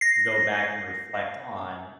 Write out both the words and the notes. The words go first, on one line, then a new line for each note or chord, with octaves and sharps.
go back and reflect on,
A#6 C7